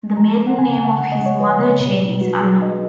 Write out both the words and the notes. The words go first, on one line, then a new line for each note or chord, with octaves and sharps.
The maiden name of his mother Jane is unknown.
F3 A#5
F3
F#5
C#3 G#5
C#3 F#5
C#3 F#5
D#5
C#3
C#5
F3 B4
C#3
B2
B2
F#3 F#4
F#3 G#4
F#3 D#5